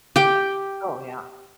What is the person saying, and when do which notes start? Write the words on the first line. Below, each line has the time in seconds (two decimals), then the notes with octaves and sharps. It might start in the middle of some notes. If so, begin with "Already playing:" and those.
Oh, yeah.
0.16 G4 G5